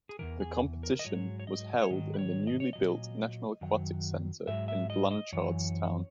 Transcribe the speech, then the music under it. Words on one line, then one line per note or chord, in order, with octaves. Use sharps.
The competition was held in the newly built National Aquatic Centre in Blanchardstown.
G#4
E2 C#3 E3 A#4
G#4
A#4
D#5
G#2 F#3 C#5
C#5
D#5
C#5
G#2 D#3 F#3 D#5
B4
C#5
D#5
C#5
A#2 F#3 D#5
F#2 D#3 F#3
G#2 F#3 E5
E5
D#5
D#5
F#2 E3 C#5